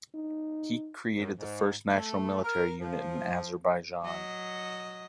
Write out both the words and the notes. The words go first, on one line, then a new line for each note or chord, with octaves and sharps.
He created the first national military unit in Azerbaijan.
D#4
F#2
G#2
A3
A#4
F3
F#3 D#5